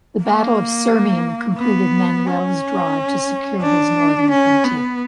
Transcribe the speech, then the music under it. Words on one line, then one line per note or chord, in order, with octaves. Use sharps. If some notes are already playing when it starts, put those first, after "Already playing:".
The Battle of Sirmium completed Manuel's drive to secure his northern frontier.
A#3
B3
C#4
D4
C#4
B3